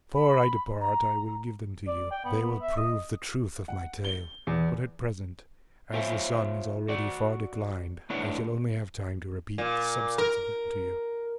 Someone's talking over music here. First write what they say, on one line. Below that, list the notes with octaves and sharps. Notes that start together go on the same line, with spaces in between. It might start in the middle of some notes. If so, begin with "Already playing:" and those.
Before I depart I will give them to you; they will prove the truth of my tale; but at present, as the sun is already far declined, I shall only have time to repeat the substance of them to you.
B5
A#5
D5
G5
B3
B3
E5
D#5
F#5
G7
E2
F4 C5 C#5 E5 F5 G#5
F#4 D5 F#5
A3 D4 E4 B4 C#5 F#5
A#2
A#4